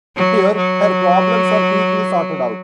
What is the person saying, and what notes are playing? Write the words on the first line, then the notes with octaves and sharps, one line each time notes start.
Here, her problems are quickly sorted out.
F#3
F#3